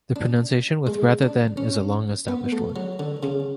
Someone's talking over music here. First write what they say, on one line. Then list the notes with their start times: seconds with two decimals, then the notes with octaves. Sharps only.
The pronunciation with rather than is a long-established one.
0.16 D4
0.87 G#3
1.23 D4
1.57 C#4
2.28 B3
2.52 A3
2.76 F#3
2.99 D3
3.23 C#3